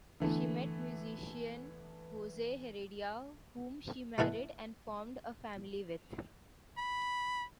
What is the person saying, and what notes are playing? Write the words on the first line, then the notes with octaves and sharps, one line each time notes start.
She met musician Jose Heredia, whom she married and formed a family with.
D3 E3 A3 B3
A3 B3 E4 A4 B4
B5